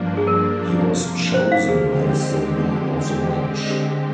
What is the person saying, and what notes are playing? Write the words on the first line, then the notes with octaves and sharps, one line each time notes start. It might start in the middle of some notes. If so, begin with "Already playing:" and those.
He was chosen as the Man of the Match.
Already playing: G2 F3 A#3 D4
G#4
A#4
C3 F3 A#3
C5
F5
G#4
D3 G#3 C4 G4